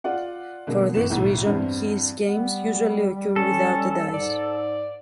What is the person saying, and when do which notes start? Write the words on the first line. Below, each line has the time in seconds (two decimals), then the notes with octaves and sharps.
For this reason, his games usually occur without a dice.
0.04 F4 D5 F#5
0.67 B2 D3 G#3 A#3
0.94 G1 E3 B3 E7
1.10 B1 E2 A2
1.46 E2 G2 E3 C4
2.28 G3 B3
3.36 C#4 A4
4.14 G#2 D5